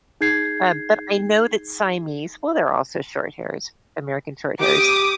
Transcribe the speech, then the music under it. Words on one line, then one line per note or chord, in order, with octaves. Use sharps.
um, but I know that Siamese- well, they're also shorthairs, American Shorthairs-
D#4 G#4 G6 G#6 C7
G4 D6 D#6